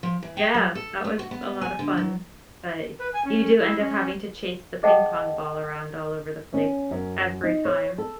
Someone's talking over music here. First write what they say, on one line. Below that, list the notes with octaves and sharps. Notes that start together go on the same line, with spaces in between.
Yeah, that was a lot of fun, but you do end up having to chase the ping pong ball around all over the place every time.
F3
E3
G5
F#3
A4
A3
F#4
B3
G#5
D3
F#3
B4
G#5
C#4
E4
C#4
G#4 A4 D#5 F#5 G5 A5
C#4
F#2
D#4
C#5
A4